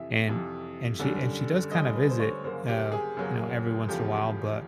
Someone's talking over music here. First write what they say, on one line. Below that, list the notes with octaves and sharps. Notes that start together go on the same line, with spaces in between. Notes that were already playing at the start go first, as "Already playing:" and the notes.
And and she and she does kinda visit, oh, you know, every once in a while, but,
Already playing: F2 C3 E3 E5
F2 C3 E3
F#2 D3 G3
F#2 D3 G3 D#5
B4
C5
C#5
F#2 C#3 F#3 A#3 C5
G4
G#4
F#2 C#3 F#3 A#3
E2 C#3 F3 A3 G4